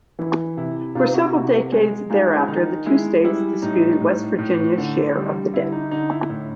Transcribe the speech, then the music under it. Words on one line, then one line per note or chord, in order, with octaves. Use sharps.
For several decades thereafter, the two states disputed West Virginia's share of the debt.
E3 E4
C3 E4
C3 D#4 F4
E4 F#4
C3 E4 F#4
G#3
G#3 D#4 F4
D#3 D#4
G#3 E4
G3 E4
A2 D#4
A2
A2
D3
G3
D3 E4
D#4
D3 D#4
E4
A2 E4